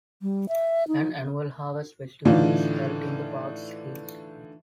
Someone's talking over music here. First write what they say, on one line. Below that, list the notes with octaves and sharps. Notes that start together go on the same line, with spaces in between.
An annual Harvest Festival is held in the park's field.
G3
E5
D#4
A2 D3 E3 D#4 F4